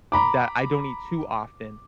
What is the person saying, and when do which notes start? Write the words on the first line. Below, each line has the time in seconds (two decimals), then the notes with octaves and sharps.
that I don't eat too often,
0.12 A#5 B5 D6